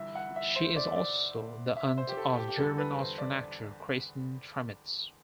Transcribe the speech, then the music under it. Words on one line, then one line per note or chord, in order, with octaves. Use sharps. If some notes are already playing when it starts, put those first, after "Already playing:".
She is also the aunt of German-Austrian actor Christian Tramitz.
Already playing: G1 G2 E3 G3 E5
F#5
E5
C5
D5
D5
E5
C5
G4
A4
G4
G4
E2 D3 G3 A4
B4
C5
D5